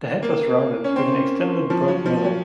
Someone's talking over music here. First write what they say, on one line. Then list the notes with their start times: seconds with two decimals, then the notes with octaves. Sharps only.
The head was rounded with an extended broad muzzle.
0.23 A#3
0.84 C#4
0.96 C4
1.70 F3
1.88 F#3
2.06 F3
2.24 F#3